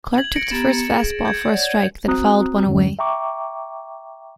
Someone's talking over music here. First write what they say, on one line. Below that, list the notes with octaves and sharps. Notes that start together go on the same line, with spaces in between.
Clark took the first fastball for a strike, then fouled one away.
G#6 F#7
A#6 C#7 D7
B3 G4 A#5 A6 E7
G#4
G6 G#6
C#5 D5 F#5
C4 F#4 A#5 D#6 F#6
E2 G2 D3 F#3 G#3 C#4
E5 G5 A#5 C#6 D6